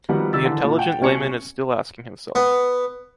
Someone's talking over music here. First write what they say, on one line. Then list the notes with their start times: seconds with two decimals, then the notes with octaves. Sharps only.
The intelligent layman is still asking himself.
0.09 D#3 F3 G3 B3 F#4 F#5
0.33 D#3 G4 E6 A6
0.45 D3 E3
0.64 A#2
0.78 F#5 G5
1.01 C2 B2 C#4 C#5 C#7
2.35 B3